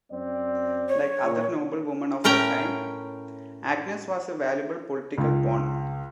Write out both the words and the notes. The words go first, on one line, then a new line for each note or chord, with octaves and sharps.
Like other noble women of her time, Agnes was a valuable political pawn.
F#2 C4 D5
C#5
A#2
A2 C#4 A#4 G5 A#5
C#2